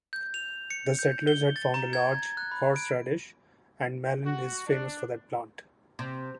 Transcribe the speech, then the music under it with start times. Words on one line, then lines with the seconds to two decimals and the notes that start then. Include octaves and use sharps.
The settlers had found a large horseradish, and Malin is famous for that plant.
0.13 G6
0.34 F7
0.71 C#7
0.99 G6
1.27 G7
1.56 A6
1.74 A#5
1.93 G#6
2.37 F#6
2.51 B5
2.76 D7
4.26 F#4
4.67 D4
5.99 C3